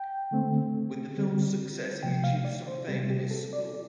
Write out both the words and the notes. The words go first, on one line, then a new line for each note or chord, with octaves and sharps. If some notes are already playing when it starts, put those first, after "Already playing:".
With the film's success, he achieved some fame in his school.
Already playing: G5
D3 A3 C4
D3 G3 C4
C3 F3 A3 G5
F5
D5
C5
C3 G3 C4 G4
G4
A4
D5